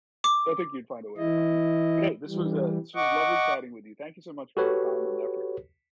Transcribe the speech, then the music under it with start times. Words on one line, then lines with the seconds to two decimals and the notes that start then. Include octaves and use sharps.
I think you'd find a way to find them, but, hey, this was, uh, this was lovely chatting with you. Thank you so much for your time and effort.
0.24 D6
1.17 E3 E4 D#5
2.26 E3 G3
2.95 D#5 F#5 C#6 D6
4.57 F#4 G4 A4 B4 C#5